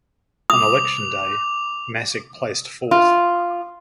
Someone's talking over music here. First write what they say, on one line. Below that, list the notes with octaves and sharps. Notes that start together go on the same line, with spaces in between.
On election day, Masyk placed fourth.
D6 D#6 F7
F4